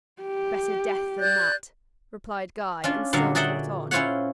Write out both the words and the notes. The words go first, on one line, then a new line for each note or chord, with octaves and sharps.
"Better death than that," replied Guy, and still fought on.
G4
D5 F#6 G6
C#4 D4 F4
A#2 D3 F#3 G3 F5
F#4 G#4 D5 E5 F#5 G5
C#4 E4 F4 C5 C#5 F#5